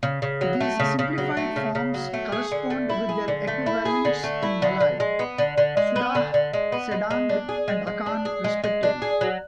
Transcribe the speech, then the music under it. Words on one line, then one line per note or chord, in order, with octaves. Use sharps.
These simplified forms correspond with their equivalents in Malay "sudah", "sedang", and "akan", respectively.
C#3
C#3
F#3
A3
C#3
C#3
F#3
A3
C#3
C#3
F#3
A3
G#4
D3
A3
E4
G#4
D3
A3
E4
G#4
D3
A3
E4
D3
D3
G#3
B3
D3
D3
G#3
B3
D3
D3
G#3
B3
G#3
G#3
D4
G#4
G#3
G#3
D4
G#4
G#3
G#3
D4
G#4
F#3